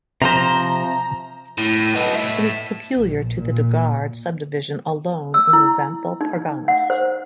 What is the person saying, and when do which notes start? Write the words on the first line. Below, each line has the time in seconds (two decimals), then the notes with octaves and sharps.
It is peculiar to the Deoghar subdivision alone in the Santhal Parganas.
0.22 C3 F3 C5 A#5
1.58 A2
1.94 B3 D#4
2.14 A2 E5
2.98 A#1
3.39 A#2
5.34 E6
5.53 E4
6.21 D#4
6.68 F#5
6.90 C5